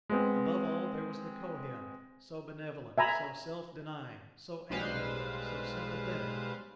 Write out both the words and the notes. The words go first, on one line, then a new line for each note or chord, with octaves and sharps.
Above all, there was the Kohen, so benevolent, so self-denying, so amiable, so sympathetic.
G#3 B3 C4
E5 G#5 A#5 B5
B1 G3 G#3 B4 C5 F5